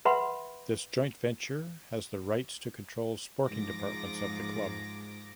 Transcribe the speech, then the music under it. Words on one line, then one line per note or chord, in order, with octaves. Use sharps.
This joint venture has the rights to control sporting departments of the club.
B4 E5 F#5 B5 C6
G#2 F3 D6 A#6